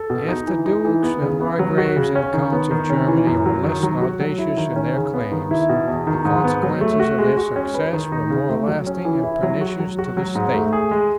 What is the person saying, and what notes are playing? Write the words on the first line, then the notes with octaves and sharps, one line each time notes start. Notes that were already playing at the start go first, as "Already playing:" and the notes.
If the dukes, margraves, and counts of Germany, were less audacious in their claims, the consequences of their success were more lasting and pernicious to the state.
Already playing: A4
B2
D#4
E3
D#4
E3
B3
C#3
B3
F#3
F#4
C#3
C#4
D#3
B3
D#3
C#4
E3
F#2
F#3
D#3
F#3
F#4
F#3
E4
D#3
C#4
C#3
B3
D#3
E4
B2
E2
D#3
G#2
B3
F#3
A3
F#4
G#3
F#4
C#4
B4
D#3
D#4
C#3
A3
F#3
C#4
E3
E4
F#3
F#4
F#3
F#4
F#3
G#2
A3
G#4
G#3